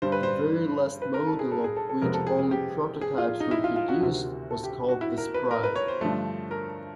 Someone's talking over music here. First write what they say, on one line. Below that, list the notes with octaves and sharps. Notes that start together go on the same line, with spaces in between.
The very last model, of which only prototypes were produced, was called the Sprite.
G2 D3 G3 C5
B4
C5
B4
A#4
A4
G#4
A4
G#4
A4
A4
F2 C3 F3 G#3 B3 A#4
A4
G#4
G#4
G4
G#4
F4
D#4
E4
F4
F4
F#4
D2 C3 D#3 F#4
A4
G4
F#4
E4
A#4
B4
A#4
B4
C#5
C5
G2 D3 F3 A3
A#4